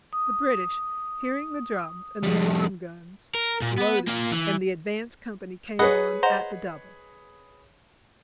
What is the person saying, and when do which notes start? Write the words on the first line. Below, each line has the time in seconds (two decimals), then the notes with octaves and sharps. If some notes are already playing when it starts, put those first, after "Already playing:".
The British, hearing the drums and the alarm-guns, loaded, and the advance company came on at the double.
0.13 D#6
2.23 F2 G3
3.35 A#4
3.62 A#2
3.78 B3 B4
4.08 A#3 F4
4.31 E3
5.79 G#4 B4 C#5 D#5 F#5 B5
6.23 C5 D#5 F#5 A#5